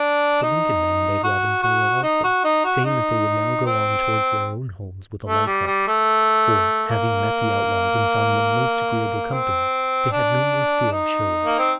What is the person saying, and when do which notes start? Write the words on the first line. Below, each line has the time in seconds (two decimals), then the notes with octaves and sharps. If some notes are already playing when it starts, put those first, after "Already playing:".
The Lincoln men bade Robin farewell also, saying that they would now go on towards their own homes with a light heart: for, having met the outlaws and found them most agreeable company, they had no more fear of Sherwood.
Already playing: D4
0.43 D#4
1.23 F#4
1.63 F#4
2.03 D#4
2.24 F#4
2.44 D#4
2.64 F#4
2.85 D#4
3.65 C4
5.27 A3
5.46 G3
5.66 G3
5.87 A3
6.88 A#3
9.30 C4
10.11 D4
10.92 D#4
11.45 A#3
11.59 C4